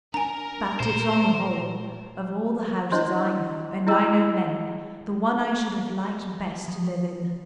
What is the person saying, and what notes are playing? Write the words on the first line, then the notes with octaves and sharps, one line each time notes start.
But it's on the whole, of all the houses I know, and I know many, the one I should have liked best to live in.
D4 A#4 G#5 A#5
A#2 C5
D4 E4 C5 C#5 D#5 C6
E4 G#4 D#5 A#5 E6
F3